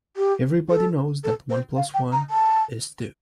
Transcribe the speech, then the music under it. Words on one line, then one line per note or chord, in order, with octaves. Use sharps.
Everybody knows that one plus one is two.
G4
A4
A4
C5
F5
G5
A#5
A5